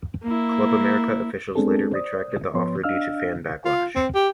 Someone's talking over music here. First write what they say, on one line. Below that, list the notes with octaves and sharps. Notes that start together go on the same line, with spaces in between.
Club America officials later retracted the offer due to fan backlash.
A#3 E4
G#3 B3 C4 D4 G#4 A4
C5 D5 D#6
G#2 F3 B3 B4 C#5 C6
D4 D#5 F5 E6 F6
F4
C4
G4